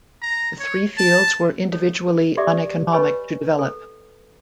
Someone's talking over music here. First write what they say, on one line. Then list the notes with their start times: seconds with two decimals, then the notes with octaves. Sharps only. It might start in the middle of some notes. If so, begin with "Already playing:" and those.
The three fields were individually uneconomic to develop.
0.21 A#5
0.59 C#5
0.97 A5
1.72 A4 C#5
2.37 F#4 G4 A4 D5 E5 D6
2.92 B4 C#5 D#5 G#5 B5 C#6
3.59 A4